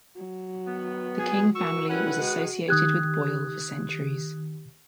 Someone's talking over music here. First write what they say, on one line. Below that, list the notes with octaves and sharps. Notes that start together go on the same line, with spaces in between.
The King family was associated with Boyle for centuries.
F#3
D#3 B3
G#4 G#5
F#4 A#4 C#6 E6
G3 C#4 E4 B4 F#5
D#3 G#3 F#4
D#3 G4 D#6 F#6 G#6